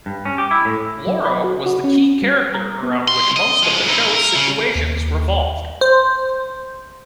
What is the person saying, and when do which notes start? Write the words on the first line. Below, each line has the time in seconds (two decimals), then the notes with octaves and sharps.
Laura was the key character around which most of the show's situations revolved.
0.06 G2
0.25 C#4
0.38 G4
0.51 E4
0.65 A2
1.07 F#3
1.25 B5
1.44 F#4
1.66 F#4
1.84 C#4
2.22 G3
2.54 A#5
2.83 B3
3.08 C2 C6
3.37 D#5
3.62 F3 G#3
3.88 D#4 E4
4.14 A#4
4.35 C#3
4.75 D#2
5.81 C5